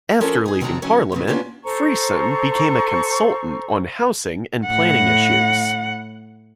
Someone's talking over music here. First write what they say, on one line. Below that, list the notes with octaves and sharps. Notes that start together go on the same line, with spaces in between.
After leaving Parliament, Freeson became a consultant on housing and planning issues.
F3 C4 C#4 A4 A#4 C#5
D#4 G#4
C3 D#3 F#3 C4 A5 A#5
D3 F#3 C#4 D#4
E2 A#2 C#3 E3
A#3 B3 C#4 D4 F4 G4
A4 C5 A#5 C#6
A2 F#5